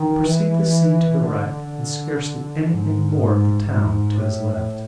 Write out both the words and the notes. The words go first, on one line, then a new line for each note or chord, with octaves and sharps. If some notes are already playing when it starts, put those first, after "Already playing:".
He perceived the sea to the right, and scarcely anything more of the town to his left.
Already playing: D#3
E3
D3
G#2
G#2
G#2
A2